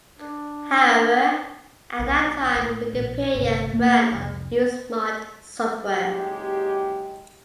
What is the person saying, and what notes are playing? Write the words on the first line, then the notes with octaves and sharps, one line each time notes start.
However, at that time, Wikipedia ran on UseMod software.
D4
B1
A2
A#1
G1 C3
A#3
C2 F2
F#1 G#3 D#4 G4